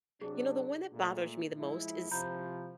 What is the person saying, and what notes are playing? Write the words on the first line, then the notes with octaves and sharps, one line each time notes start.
You know, the one that bothers me the most is
C3 F#3 D4 G#4
A#2 A3
F3 G#3 E4
C3 F3 A#5 B5 G6